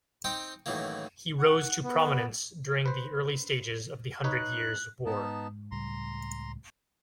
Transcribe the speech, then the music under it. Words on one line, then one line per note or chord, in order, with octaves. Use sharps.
He rose to prominence during the early stages of the Hundred Years' War.
C4 D#4 C5 G5
F#2 A2 D#3 E3 A#3
F#5
B3
B4 C5
D#4 B4 C#5 F#6
G#2 B3 D#4 A5
C#2 A2 G3 A#5 C6